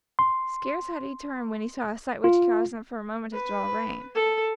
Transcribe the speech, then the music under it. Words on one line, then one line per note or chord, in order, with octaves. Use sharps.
Scarce had he turned when he saw a sight which caused him for a moment to draw rein.
C6
F4
B4
A4